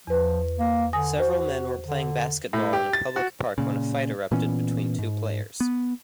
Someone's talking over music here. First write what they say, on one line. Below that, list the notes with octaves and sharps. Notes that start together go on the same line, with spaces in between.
Several men were playing basketball in a public park when a fight erupted between two players.
E2 F3 B4
A#3
D3 G#5 D#6 A#6
F#4 C5
D3
A2
G4
A6
F#4
A#2 C#3
A#2 E3 B3 C#4
G#2
B3